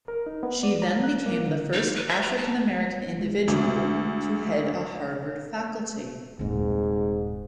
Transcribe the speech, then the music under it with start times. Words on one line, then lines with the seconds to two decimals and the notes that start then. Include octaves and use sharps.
She then became the first African American individual to head a Harvard faculty.
0.08 A#4
0.26 D#4
0.43 B3
0.63 D5
0.82 A#5
1.04 F#6
1.26 A#3
1.47 D3
1.73 D#4
1.96 B4
2.08 E5
2.22 A#5
2.37 A5
3.20 G#3
3.48 D2
6.39 D#1 G#2 C3